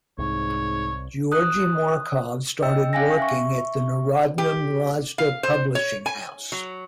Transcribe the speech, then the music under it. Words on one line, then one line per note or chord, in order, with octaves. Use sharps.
Georgi Markov started working at the Narodna Mladezh publishing house.
C2 G#2 C#5
D#6 F#6
D#5 G5 E6
C#4 F5 G5 G#5 A#6
E5 C#6
G4
F5
C5
C#5
G#5
F#3